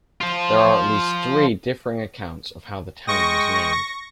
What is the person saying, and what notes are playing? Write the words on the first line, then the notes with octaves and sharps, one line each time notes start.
There are at least three differing accounts of how the town was named.
F3 F4
G#3 G5 C#6 D#6 A#6